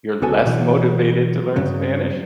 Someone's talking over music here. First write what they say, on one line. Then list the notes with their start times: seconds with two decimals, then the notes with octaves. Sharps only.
you're less motivated to learn Spanish?
0.22 C#2 B3 F#4 A4 G#5
0.45 B2 E3 F#3
1.56 G2 C#3 F#3